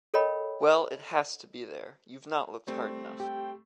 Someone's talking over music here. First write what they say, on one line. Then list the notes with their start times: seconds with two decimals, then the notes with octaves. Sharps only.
Well, it has to be there. You've not looked hard enough.
0.14 A4 A#4 C#5 D#5 G5 B5
2.67 G3 A3 C4
3.20 G4 G5